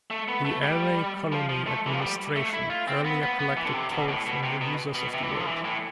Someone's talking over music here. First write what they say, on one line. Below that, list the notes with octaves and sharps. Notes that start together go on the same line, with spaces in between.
The Aarey Colony administration earlier collected toll from the users of the road.
A3
B3
A3
G3
F3
F3
A3
E3
F3
G3
A3
E4
F4
C4
B3
B3
B3
E3
D3
C3
B2
A2
B2
C3
B2
B2
C3
E3
D3
F3
E3
A2